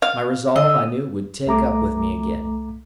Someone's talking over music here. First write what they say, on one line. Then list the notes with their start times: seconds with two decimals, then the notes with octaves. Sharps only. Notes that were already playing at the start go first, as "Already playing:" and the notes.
My resolve I knew would take up with me again.
0.02 F5
0.56 D3 D#5 E6
1.46 C2 A3 A#5 D6